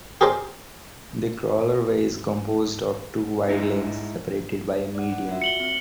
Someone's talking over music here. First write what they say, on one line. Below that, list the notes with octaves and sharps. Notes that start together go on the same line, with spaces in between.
The crawlerway is composed of two wide lanes, separated by a median.
G4 G#4 A#4 C5 D5
G#2 D#4 E4
D5 F#5
F#5
F4 F#4 E5
C#7 F#7 G7
C4